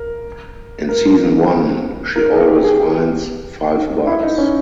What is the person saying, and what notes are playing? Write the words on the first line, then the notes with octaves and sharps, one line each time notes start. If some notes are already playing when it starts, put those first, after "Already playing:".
In season one, she always finds "five bucks".
Already playing: A#4
A#4
A#4
G#4
G4
G#4
G4
E4
D#4
C#4